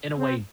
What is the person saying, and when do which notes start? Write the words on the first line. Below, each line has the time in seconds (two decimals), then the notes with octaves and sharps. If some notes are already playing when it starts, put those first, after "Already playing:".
in a way,
0.17 C4